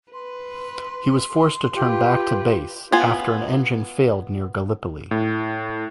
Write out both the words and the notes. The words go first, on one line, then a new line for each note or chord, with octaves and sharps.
He was forced to turn back to base after an engine failed near Gallipoli.
B4 C6
F4 G4 B4
B3 F4 G#5
A2